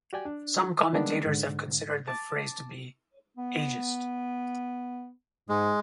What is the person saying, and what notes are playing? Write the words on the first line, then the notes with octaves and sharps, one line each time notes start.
Some commentators have considered the phrase to be ageist.
F#4 G4 D5 G5 G#5
D4
D#3 G3 G#3 A#3 B3 D4
G#2 D3
A5 D6 A6
B3
G#2 G#3